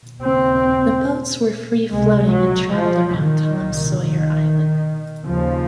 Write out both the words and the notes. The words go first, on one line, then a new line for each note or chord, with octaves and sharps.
The boats were free-floating and traveled around Tom Sawyer Island.
D#2 C#3 C4
C#2 C3 G#3
F#3
F3
D#3
C2 A#2
D#3
D#2 C#3 F3